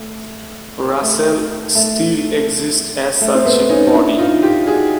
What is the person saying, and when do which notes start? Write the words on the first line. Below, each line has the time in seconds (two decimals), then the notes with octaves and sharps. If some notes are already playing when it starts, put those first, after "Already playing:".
Russell still exists as such a body.
Already playing: A3
1.02 A3
1.75 A3
3.21 A3
3.35 C4
3.45 A3 B3
3.69 C#4 D#4
3.94 D4 E4
4.18 D#4 F4
4.42 F4 G4
4.67 F#4 G#4